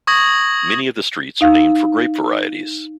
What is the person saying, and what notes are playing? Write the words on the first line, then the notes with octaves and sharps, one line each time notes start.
Many of the streets are named for grape varieties.
C#6 D#6 G#6 A#6 F#7
D#4 F5